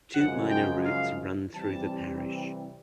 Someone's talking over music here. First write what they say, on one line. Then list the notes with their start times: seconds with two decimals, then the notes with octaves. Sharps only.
Two minor routes run through the parish.
0.15 F#2 C#3 F3 G#3 F#5
0.51 G5
0.85 F5
1.54 C3 E3 G3 C4 A5